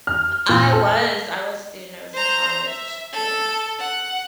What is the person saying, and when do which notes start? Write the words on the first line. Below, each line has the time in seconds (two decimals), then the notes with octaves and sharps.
I was, I was a student, I was in college. Yeah.
0.07 F6
0.49 A#2
0.72 A4
2.14 C5 A#5
2.66 E5
3.12 A4
3.79 F#5